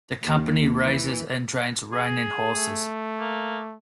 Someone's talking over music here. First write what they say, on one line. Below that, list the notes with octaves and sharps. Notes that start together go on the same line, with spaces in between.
The company raises and trains reining horses.
D#2
E3
G#4
A3
A#3